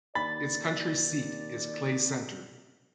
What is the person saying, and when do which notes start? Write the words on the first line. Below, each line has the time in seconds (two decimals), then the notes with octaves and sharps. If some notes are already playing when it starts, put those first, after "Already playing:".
Its county seat is Clay Center.
0.15 D#2 D5 B5 A6